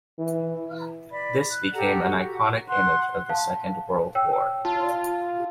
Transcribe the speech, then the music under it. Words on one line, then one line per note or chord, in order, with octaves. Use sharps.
This became an iconic image of the Second World War.
E3
D5 B5
F#6
G4 A4 F#5 A#5
F#4
F#5 C6 F#6
F5 A5
C#5 G5 E6
F4 A5